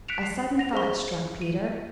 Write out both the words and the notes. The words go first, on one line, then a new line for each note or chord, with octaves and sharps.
A sudden thought struck Peter.
F#6 B6 C#7 D7 E7 F7
C7
F#5 A#6 F7
G4 G#4 C5 F5 C#6 G7
D#7